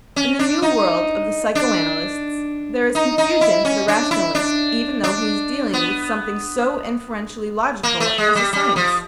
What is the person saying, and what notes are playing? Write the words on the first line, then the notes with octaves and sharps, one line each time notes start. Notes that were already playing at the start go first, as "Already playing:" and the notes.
In the new world of the psychoanalysts there is confusion for the rationalist even though he is dealing with something so inferentially logical as a science.
C#4
D4
D#4
D4
D#4
D#4
E4
C#4
D4
E4
D4
D4
B3
A#3
A3
G#3
G3
G3
F3